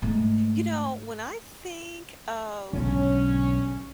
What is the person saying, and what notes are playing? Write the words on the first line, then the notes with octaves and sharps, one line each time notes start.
You know, when I think of
G#2 A3
B1 G#2 D3 C#4